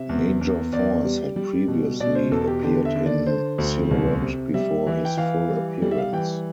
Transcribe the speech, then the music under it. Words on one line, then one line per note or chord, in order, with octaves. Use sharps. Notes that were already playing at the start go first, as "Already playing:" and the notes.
Major Force had previously appeared in silhouette before his full appearance.
Already playing: C3 E5
E2
E2
E2 D5
G3
G3
B2
B2 D5
C5
E2 A4
G4
D3 G4
E5
D3
D5
D3 C5
D2
C2
C3
G3 E5
E3
G5
E3 F5
G3
G3
E5
F5
E3 G5